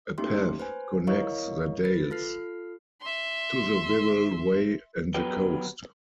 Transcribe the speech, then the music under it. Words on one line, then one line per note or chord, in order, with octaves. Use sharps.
A path connects the Dales to the Wirral Way and the coast.
A3 A#3 C#4 D#4 G4 C6
B4 C5 G#5
E4 A#4 C#5 D#5 F5 C#6
B4 A6
F4 A4 F6 C7
E5 C6
F#3 B3 G4 B4 G5